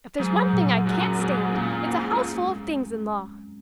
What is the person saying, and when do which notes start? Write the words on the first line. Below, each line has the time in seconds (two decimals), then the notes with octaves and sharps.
"If there's one thing I can't stand, it's a houseful of things-in-law!"
0.20 G#2 F#3
0.53 A#2
0.87 F#2 F#4
1.19 G#2 C4
1.52 A#2 C#4
1.86 G#2 G#3
2.11 A#2